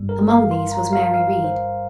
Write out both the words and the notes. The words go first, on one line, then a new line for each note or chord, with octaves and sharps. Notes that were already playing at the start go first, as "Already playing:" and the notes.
Among these was Mary Read.
Already playing: G1 G2 G3
A#4
F5
C6
A#5
F5
F5
C5